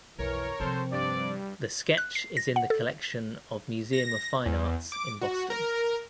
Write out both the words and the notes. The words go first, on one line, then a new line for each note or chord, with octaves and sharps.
The sketch is in the collection of Museum of Fine Arts in Boston.
B1 F2 E3 A#4 C#5
C3 F3 C4 A4 C5
G2 D5
F#6
C7
A#6
F#5
A4
A#6
E2
D6
F#4
A#4